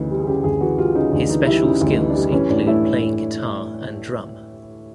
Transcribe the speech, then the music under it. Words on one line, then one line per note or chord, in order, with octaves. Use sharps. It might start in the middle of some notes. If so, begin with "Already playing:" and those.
His special skills include playing guitar and drum.
Already playing: D2 C#3 E3 D#4
G3
G#4
C#3 G4
D2 G#4
E3 F#4
G3 F4
C#3 D#4
D2 D4
E3 D#4
G3 E4
C#3 D#4
D2
D#4
E3
D4
G3
E3 C#4
A2 D4
A3 E4